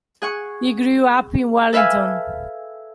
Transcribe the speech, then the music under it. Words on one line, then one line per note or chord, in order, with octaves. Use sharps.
He grew up in Wellington.
G#4 F#5 C#6
A4 B4 E5 F5 G#5